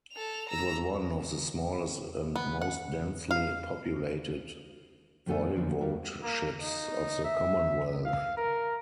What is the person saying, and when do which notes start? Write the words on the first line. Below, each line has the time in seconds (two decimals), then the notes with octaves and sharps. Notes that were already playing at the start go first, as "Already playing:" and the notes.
It was one of the smallest and most densely populated voivodeships of the Commonwealth.
0.13 A4 F7
0.49 A#5 E6
2.36 B3
2.62 F#5
3.31 F5
5.26 F2 A2 D#3 B3 A4 G#5
5.56 D3 F3 A#3 D4 D#4
5.81 G3 F#4 A#4
6.23 A#3
6.61 D#4
7.24 E5
8.05 F5
8.37 A#4